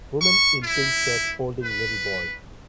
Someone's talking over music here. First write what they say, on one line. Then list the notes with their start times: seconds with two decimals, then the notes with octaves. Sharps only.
Woman in pink shirt holding little boy.
0.21 C#6
0.63 E4
1.63 B4